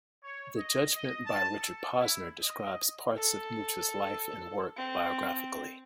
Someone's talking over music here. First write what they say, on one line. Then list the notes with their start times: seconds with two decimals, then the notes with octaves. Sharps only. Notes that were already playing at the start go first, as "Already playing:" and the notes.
The judgment by Richard Posner describes parts of Mucha's life and work biographically.
0.24 C#5
0.57 D#5
0.96 D#5
1.26 A5
1.60 A4
1.99 E4
2.42 D#5
3.16 A4
4.77 C4